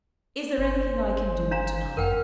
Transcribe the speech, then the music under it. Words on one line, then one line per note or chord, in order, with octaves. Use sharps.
"Is there anything I can do to-night?"
G1 C5
D4 F5 A#5
F#2 A#4 F#5 G5 F6